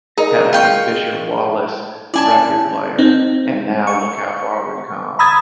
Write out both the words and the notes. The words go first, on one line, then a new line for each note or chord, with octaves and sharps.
having a Fisher Wallace record player, and now look how far we've come.
D#4 G#4 A#4 D#5
F4 G5 C#6
C#4 E4 D5 G#5 A5
C4 D#4
C#6
A#5 B5 D#6 E6 G#6 A6